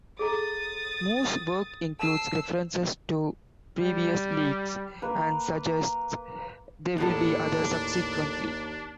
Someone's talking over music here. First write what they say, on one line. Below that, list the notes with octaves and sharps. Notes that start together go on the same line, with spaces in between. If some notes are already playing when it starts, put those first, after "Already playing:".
Moore's work includes references to previous leagues and suggests there will be others subsequently.
G#4 A4 A#5 D#6 A6
A5 E6 C7
G3
A#3 B4
D#2 A2 B3 D4 A4